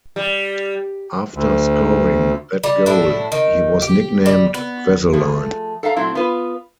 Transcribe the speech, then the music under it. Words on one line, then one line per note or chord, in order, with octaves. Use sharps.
After scoring that goal, he was nicknamed "vaseline".
G3
D2
G3
A2 D4 E4
D#3
G4
G3
B3
F3 A3 G#4
A4 E5 F5 A#5
A#2 F#3 A3 C4 E4
B3 F4 B4